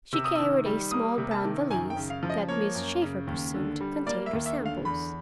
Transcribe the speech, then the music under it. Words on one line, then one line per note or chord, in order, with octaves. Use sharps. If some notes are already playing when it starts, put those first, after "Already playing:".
She carried a small brown valise that Miss Shaeffer presumed contained her samples.
C3 E6
D#6
E6
D#3
G3
A#3 D#6
C3
A5
D#3
F#2 G#5
G5
C#3
F5
F3
D#5
A#3 C#5
F#2
C#3
D#2
D3
G3
A#3 D5
E5
D#2
E5
D3
F5
E2 B5